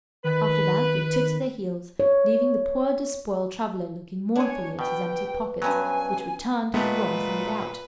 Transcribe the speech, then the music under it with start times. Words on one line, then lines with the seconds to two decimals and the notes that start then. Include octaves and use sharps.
After that they took to their heels, leaving the poor despoiled traveller looking mournfully at his empty pockets, which were turned wrong side out.
0.24 D#3 B4
2.00 C#5
4.36 D4 C#5 G#5
4.79 B2 B4 G5
5.62 G2 F#3 B3 C#4 C5 G#5
6.74 A#2 G#3 A3 B3 B4